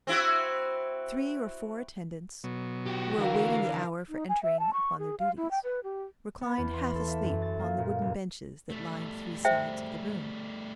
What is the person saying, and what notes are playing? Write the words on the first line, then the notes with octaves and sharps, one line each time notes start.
Three or four attendants, who were awaiting the hour for entering upon their duties, reclined half asleep upon the wooden benches that lined three sides of the room.
C4 E4 F#4
B2 F#3
F#4 G4
D3 E3 A#4 F5
D#4
G#5
E5
A5
C#6
G#4
F5
E4
G5
B4
G4
B3
E2
C6
A4
E5
F#2
A6
A#3
A#2
F1
G3 A3
C5 E5 G5